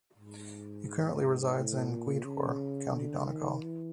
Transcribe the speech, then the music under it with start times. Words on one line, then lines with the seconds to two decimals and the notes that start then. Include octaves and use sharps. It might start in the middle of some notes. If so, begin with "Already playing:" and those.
He currently resides in Gweedore, County Donegal.
0.18 G#2
1.56 A2
1.90 A#2
2.24 C#3
2.94 D3
3.28 D#3
3.62 E3